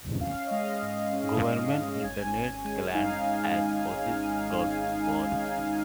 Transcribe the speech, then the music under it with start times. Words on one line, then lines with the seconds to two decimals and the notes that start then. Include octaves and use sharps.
Government Internet clients as "osis dot gov".
0.21 C#4 F5
0.47 D#5
0.51 G#3 F5
0.82 G#2
1.13 C#4
1.43 G#2
1.73 C#4
2.04 G#1 G#5
2.35 G#1
2.64 G#3
2.95 D#4 F5